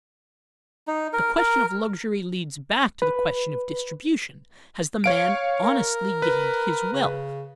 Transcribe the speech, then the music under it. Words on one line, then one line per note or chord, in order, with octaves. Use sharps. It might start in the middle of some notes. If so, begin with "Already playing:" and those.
The question of luxury leads back to the question of distribution: Has the man honestly gained his wealth?
D#4
A#4
A#4
B4
C#5 F5 D7
A#4
B4
C#3